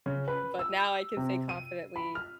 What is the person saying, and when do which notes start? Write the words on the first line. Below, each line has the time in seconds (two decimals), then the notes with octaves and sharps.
but now I can say confidently
0.06 C#3
0.28 B4
0.59 E6
1.17 C3
1.49 D#7
1.96 B5
2.15 F6